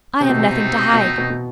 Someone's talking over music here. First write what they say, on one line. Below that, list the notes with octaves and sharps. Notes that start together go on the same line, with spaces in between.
I have nothing to hide.
C3 A3 C4 D#4
B2
C3
B2
B2
B2
B2